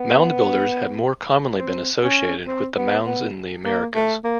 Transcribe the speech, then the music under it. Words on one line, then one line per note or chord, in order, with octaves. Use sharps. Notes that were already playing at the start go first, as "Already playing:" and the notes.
"Mound builders" have more commonly been associated with the mounds in the Americas.
Already playing: B3
C4
C#4
C4
B3
B3
A#3
A3
A#3